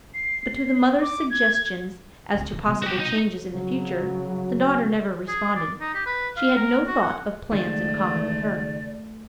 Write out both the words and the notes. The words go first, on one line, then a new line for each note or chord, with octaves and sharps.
But to the mother's suggestions as to possible changes in the future, the daughter never responded: she had no thought of plans in common with her.
C7
D6
G#6
C#2 C#4
D#3 F3
B2 G3
F#4 G4
D#4 D#5
C#3 F#3
G#4
D5
D#4
G4
B4
F5
A#4
F#4
F#5
C#2 D#3 G#3 A3 D5